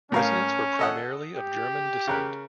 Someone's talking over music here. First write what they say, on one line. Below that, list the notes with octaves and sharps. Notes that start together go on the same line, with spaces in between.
Residents were primarily of German descent.
A2 C#4 A#4 F5
A4 D#5 F#5
G4
C#3 A#4 F#6